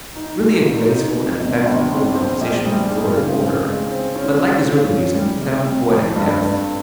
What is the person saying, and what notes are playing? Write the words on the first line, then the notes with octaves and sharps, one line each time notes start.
Really a graceful and effective little composition of the florid order, but like his early music without poetic depth.
D#4
A#2
D#4
D#4
C3
G1
G1
C3
C4
A#1
G3
G#2
C#3
C4
G#3
C4
C#4
D#3
F4
C#4
G3
C3
C3
F2
G2
G2